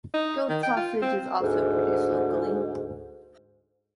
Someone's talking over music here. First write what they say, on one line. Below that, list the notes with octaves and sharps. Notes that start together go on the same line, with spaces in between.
Goat sausage is also produced locally.
D#4
D#3
G5
F4
C4
D2 G#2